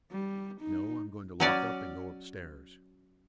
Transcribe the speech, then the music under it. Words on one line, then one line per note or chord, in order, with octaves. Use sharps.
"No; I'm going to lock up and go upstairs."
G3
D#4
F#3 C#4 D5